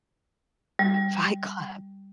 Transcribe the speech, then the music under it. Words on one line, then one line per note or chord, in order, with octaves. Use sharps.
Fight Club.
G3